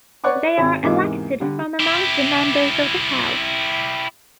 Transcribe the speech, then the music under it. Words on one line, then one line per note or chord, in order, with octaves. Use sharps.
They are elected from among the members of the House.
B4 C#5 D5 F#5 C#6 D6
G#1 C4
E2 G#2 C3 A#3 D#4 D6
D3 G3
E4 G4